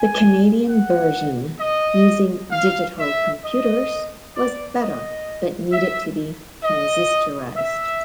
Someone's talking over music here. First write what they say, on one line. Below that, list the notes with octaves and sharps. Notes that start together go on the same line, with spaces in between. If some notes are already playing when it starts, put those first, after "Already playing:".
The Canadian version, using digital computers, was better, but needed to be transistorized.
Already playing: G#5
F#5
D#5
F5
E5
D#5
D5
D#5
E5
D#5
E5